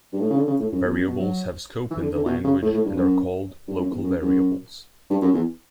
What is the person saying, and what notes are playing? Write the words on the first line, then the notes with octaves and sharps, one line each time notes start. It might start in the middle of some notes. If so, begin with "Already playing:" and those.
Variables have scope in the language, and are called "local variables".
G2
A2
C#3
D3
C#3
A2
F#2
E2
F#2
B2
F#3
E3
D3
D3
B2
C#3
A2
A2
G2
F#2
G2
F#2
E2
F#2
F#2
G2
F#2
E2